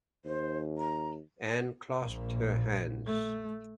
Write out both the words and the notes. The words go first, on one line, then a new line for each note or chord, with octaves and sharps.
Anne clasped her hands.
D#2 C5
A#5
A#1 A#2
A3